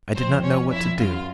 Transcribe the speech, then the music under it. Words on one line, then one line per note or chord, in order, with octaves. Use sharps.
I did not know what to do.
F2 C4 C5
C#4 C#5
F2 E4 E5
F#2 F4 F5